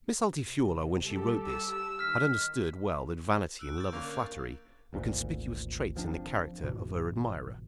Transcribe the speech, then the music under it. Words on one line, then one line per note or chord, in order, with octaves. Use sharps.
Miss Altifiorla when she wrote this had understood well that vanity and love of flattery were conspicuous traits in the character of her admirer.
C3
G3 G4 A4
E6
D#3 F6 B6
E6 F#6 D7
G6 A6
D3 A#3 C#4
G#1 D2 A#2
G1 F3 C4 D4
G1 G#2 B2 E3